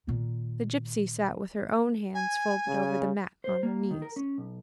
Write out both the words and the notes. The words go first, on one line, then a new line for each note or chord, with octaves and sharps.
The gipsy sat with her own hands folded over the mat on her knees.
A#2 D#3
G#5
C#3
C5
A#3
D#3
A#4
C#4
B1